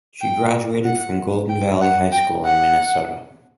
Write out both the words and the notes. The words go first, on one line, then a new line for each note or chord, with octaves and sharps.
She graduated from Golden Valley High School in Minnesota.
G5
F#5
G5
F#5
G5
F#5